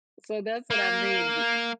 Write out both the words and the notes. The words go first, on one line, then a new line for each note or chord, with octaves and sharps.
So that's what I mean the
A#3